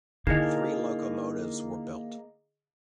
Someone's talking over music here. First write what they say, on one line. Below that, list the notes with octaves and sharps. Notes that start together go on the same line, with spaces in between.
Three locomotives were built.
D3 A#3 D#4 E4 G#4 A#4 D#5